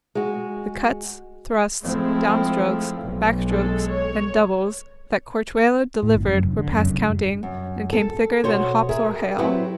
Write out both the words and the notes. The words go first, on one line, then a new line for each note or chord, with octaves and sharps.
The cuts, thrusts, down strokes, back strokes and doubles, that Corchuelo delivered were past counting, and came thicker than hops or hail.
G#3 F#4
F3 G#3 A3 C4 E4
B1
G#3 A4
C#5
A2
G1
F#2
F1
D3
F#2
F1
G2
F#2
A4
B2 F#4 C5 C#5
G#4 A#4 E5
F#3 C4 E4 G4 B4 F#5